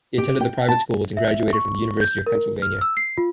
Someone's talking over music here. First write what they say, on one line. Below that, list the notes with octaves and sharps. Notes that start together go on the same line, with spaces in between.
He attended the private schools and graduated from the University of Pennsylvania.
G4
G5
A5
E5
C#6
G6
A#4
F6
E6
C7
F4